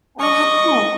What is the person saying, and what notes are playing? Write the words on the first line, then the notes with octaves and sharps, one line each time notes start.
Oh, how cool.
D#5 C#6